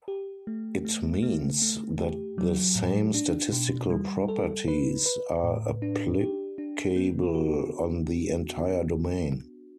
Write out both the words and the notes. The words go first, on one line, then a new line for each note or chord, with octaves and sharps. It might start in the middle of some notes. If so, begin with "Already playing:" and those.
It means that the same statistical properties are applicable on the entire domain.
G4
A3
A3
A3
A3
G4
F#3
A2
D4
B2
G3
A4
B4
B4
A2
D4
G4
D4
B3
F#4